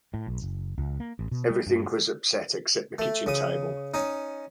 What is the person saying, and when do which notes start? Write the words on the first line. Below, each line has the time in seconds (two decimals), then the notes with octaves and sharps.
Everything was upset except the kitchen table.
0.14 A2
0.27 B1
0.42 F#1
0.78 C#2
1.00 A#3
1.19 A1
1.31 B2
1.50 G3
1.67 G2
2.98 A3
3.26 C#3 D#6
3.94 C#4 D#4